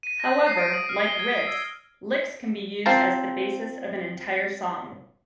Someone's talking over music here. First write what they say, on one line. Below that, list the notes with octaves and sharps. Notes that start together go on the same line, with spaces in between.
However, like riffs, licks can be used as the basis of an entire song.
D#7
A#6
A#6
C7
D7
D#6
F6
G7
G#6
C7
E6
C4 F4 C5 F5 A5 A#5